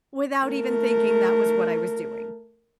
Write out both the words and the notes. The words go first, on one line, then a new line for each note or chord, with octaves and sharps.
without even thinking that was what I was doing.
A3 A#4